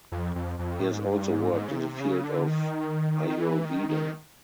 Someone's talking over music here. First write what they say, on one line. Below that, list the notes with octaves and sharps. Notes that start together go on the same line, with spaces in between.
He has also worked in the field of Ayurveda.
F2
F2
F2
A2
G#2
G2
G#2
G#2
C#3
C3
C#3
D3
D#3
D#3
E3
D#3
D#3